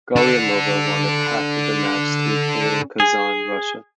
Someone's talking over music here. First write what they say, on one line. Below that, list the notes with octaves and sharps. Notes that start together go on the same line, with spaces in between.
Galliamova wanted half of the match to be played in Kazan, Russia.
D4 A4
G#4